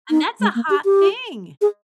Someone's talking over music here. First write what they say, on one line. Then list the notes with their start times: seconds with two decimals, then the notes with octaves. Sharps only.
and that's a hot thing!
0.10 D#4
0.40 G#3
0.55 A#3
0.70 G4
0.85 G4
1.61 G#4